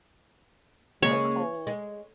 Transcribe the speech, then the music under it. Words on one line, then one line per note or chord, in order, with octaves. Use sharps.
The cold.
C#3 G#3 A#3 C#5
G#3